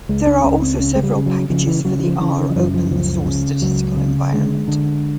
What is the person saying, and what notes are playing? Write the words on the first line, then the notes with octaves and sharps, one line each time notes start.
There are also several packages for the R open source statistical environment.
C#2 G#3
D4
C#2 C#4
C4
C#3 C#4
G#3
G3
C#3
F#3
C#3 F3
E3
C#3 F#3
E3
F3
C#3 E3
D#3
F3
F#2 E3
F3
C#2 F3
C#3
C#2 F#3
C#3
D3 G#3
D3